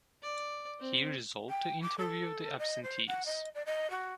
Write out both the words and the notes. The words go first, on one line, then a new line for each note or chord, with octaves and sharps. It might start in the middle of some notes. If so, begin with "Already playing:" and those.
He resolved to interview the absentees.
D5
C4
G5
D6
A4
D#5
C5
F#5
D#5
D5
D#5
F#4